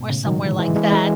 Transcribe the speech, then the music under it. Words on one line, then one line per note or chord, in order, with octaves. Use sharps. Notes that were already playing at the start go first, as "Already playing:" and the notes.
or somewhere like that,
Already playing: G#2 B2
A2 C#3
D#3 F#3
E3 G#3
E3 G#3
E3 G#3
E3 G#3